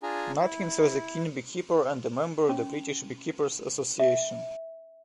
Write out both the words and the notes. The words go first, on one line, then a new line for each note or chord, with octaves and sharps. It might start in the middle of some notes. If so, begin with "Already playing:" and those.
Nutkins was a keen beekeeper and a member of the British Beekeepers' Association.
D4 F4 G#4 G#5 A#5
E4
C#4
E5